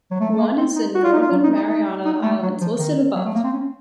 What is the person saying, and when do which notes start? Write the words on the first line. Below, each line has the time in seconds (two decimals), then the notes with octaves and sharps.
One is the Northern Mariana Islands listed above.
0.11 F#3
0.20 A3
0.31 A3
0.39 A#3
0.57 C4
0.76 D#4
0.95 F#4
1.04 F4
1.13 D#4
1.22 F4
1.31 F#3
1.43 D#4
1.56 D#4
1.68 D#4
2.05 D#4
2.23 A3
2.42 F#3
2.61 F3
2.78 D#3
3.15 F#3
3.26 A3
3.34 A#3
3.43 C4
3.53 C#4